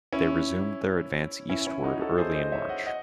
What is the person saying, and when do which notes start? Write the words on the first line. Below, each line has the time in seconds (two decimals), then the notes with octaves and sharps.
They resumed their advance eastward early in March.
0.13 C#4 E4
1.50 C#4 E4
1.67 C#4 E4
1.83 D#4 F#4
2.01 F#4 A4
2.18 G#4 C5
2.35 C5 D#5
2.52 C#5 E5
2.69 D#5 F#5
2.86 D#5 F#5